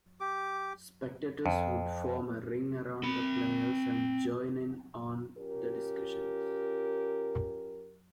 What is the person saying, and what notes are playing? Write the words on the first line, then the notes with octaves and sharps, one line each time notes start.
Spectators would form a ring around the players and join in on the discussions.
G4 D6
F2
C4 B5
C#4 F4 G4 A#4